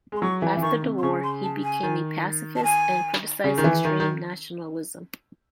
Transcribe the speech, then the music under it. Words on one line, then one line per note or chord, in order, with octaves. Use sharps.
After the war he became a pacifist and criticized extreme nationalism.
G#3 C6
F#3 C#6
E3
E3
D#3 C#6
C3
C6
C#3 C#6
C6
A5
G#5
D#3
A5
G#5
C#3
D#3
E3
D#3
D#3